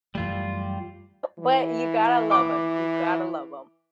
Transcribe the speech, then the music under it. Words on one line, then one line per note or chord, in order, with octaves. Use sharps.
But, you gotta love 'em, you've gotta love 'em.
F#2 E3 G3 A3 F4
E3
D6